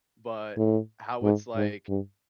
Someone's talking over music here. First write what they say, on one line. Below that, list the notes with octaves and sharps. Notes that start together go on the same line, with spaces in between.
but, how it's like
A2
G#2
G#2
G2